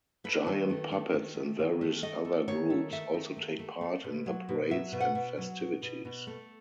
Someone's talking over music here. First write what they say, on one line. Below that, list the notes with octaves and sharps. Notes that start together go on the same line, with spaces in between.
Giant puppets and various other groups also take part in the parades and festivities.
A3 B4
D#3
A3
A3
D#3
A3
D#3
A3
A3 D#5
A3
D#3 C#5
A3
A3 E5
D#3
A3
A3
A3
B2
F#3
B2
F#3 E5
B2
F#5
B2
F#3
B2
B2
B2
A3